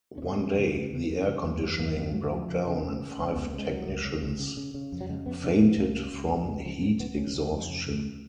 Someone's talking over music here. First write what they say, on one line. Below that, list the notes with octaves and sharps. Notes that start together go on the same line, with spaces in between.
One day, the air conditioning broke down and five technicians fainted from heat exhaustion.
C#4
C#3 B3
F2
C#3
C#3
C#3
F2
C#3
F2
F#2 A#3
F#2 A#3
F#2 B3
C#3 F#3
C#3 F3
C#3
C#3
C#3
C#3
C#2 C#4
C#2 B3
A#3
C#3
G#3
C#2 F#3
C#2
C#3
C#2
C#3
C#3
C#3
F2
F#3
C#3 G#3
F2 B3
C#3 C#4
F2 B3
C#2 A#3
C#3
C#2
C#2
C#2 G#3
C#3 F3
C#3 F#3
C#2 B3
F2 C#4
C#3
F2
C#3
C#3